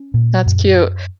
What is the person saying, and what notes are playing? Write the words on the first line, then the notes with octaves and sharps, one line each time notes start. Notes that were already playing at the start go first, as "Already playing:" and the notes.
That's cute.
Already playing: C#4
A#2
F#2